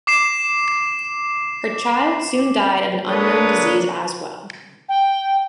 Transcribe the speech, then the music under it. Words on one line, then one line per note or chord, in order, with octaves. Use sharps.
Her child soon died of an unknown disease as well.
D6 C7 E7
A#3 D4 A4 B4 C#5 D#6
G5